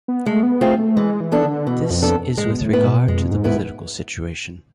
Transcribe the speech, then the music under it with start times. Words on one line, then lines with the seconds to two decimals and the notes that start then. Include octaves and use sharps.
This is with regard to the political situation.
0.08 B3
0.26 G#3 A3
0.43 B3
0.61 A3 C4 F4 G#4
0.78 A3
0.96 E3 G#3
1.20 E3
1.32 B3 D4 A4
1.44 D3
1.67 B2 E3
1.91 F2
2.02 B3 D4 A4
2.37 G#2 G#3
2.52 B2
2.61 A2
2.73 A2 B3 E4 B4
2.85 B2
3.08 F2 G#3
3.31 G#2
3.44 B3 E4 B4